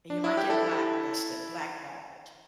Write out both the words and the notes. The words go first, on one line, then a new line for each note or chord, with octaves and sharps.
And you might get blacklisted, blackballed.
D4
E4
G4
E4 A4